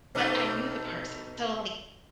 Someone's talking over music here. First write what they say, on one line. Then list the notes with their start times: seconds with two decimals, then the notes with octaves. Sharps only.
but I knew the person. So, like,
0.15 B2 A3 D#4